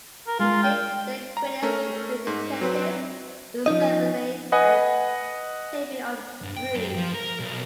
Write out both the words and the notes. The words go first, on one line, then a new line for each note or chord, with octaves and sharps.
Biggs' stage credits include "The Tempest", "Cymbeline" and "The Taming of the Shrew".
A#4
G#3 F4 A#4
G5
A#5
A3 C#4 A#4
G#2
F#3 C4 B4
F3 C#4 D#4 D#5
B4 D#5 F#5 G#5
G2
G5
F#2
F3
A#4
B1